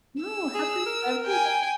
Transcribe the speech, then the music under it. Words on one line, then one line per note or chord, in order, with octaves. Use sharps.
No, happens to everyone.
E6
G#4
A#4
G5 G#5